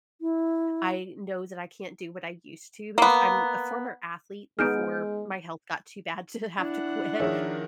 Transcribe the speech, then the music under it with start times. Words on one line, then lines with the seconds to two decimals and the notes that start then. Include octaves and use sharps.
I know that I can't do what I used to, because I'm a former athlete, before my health got too bad to have to quit.
0.21 E4
2.98 A#3 B3
4.59 G#3 B3 D#4 G#4 F6 G6 D7
6.59 D4 E4 F#5
7.20 D#3 F3 G#4 A#4 C#5 E5